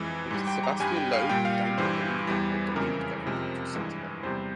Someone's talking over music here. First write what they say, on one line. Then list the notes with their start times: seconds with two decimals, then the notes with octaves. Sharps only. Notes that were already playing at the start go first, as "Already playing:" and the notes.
Sebastien Loeb and Daniel Elena held the lead going onto Saturday.
Already playing: F2 E3 G#3
0.31 G#2 G3
0.47 G5
0.63 A#5
0.80 G2 G3 G#5
0.97 G5
1.13 F5
1.29 A#2 G3 G5
1.45 F5
1.78 G2 E3 G3 C5
2.27 E2 E3 G3
2.76 F2 C#3 E3 G#3 A#4
3.26 F2 C3 F3 G#3
3.75 G2 E3 G#3
4.23 E2 C3 G3 C5